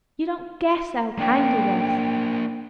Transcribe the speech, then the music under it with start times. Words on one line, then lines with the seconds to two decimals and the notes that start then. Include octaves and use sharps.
You don't guess how kind he was.
1.18 A#3 D4 G5